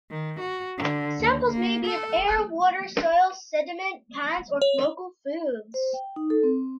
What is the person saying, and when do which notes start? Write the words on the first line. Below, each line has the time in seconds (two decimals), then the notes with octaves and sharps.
Samples may be of air, water, soil, sediment, plants or local foods.
0.11 D#3
0.40 F#4
0.78 D3
1.19 D#2
1.51 A#3
1.86 A4
4.62 C#5
5.74 C5
5.94 G5
6.16 D#4
6.30 A4
6.43 C4